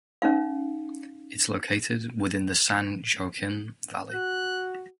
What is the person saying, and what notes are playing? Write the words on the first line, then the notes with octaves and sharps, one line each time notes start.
It is located within the San Joaquin Valley.
C#4 D#4 F5
F#4 F#6